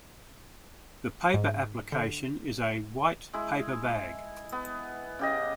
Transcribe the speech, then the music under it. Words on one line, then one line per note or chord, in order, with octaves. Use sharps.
The paper application is a white paper bag.
G#2
D3
G#3 E4
B3
C#3 G4 D#5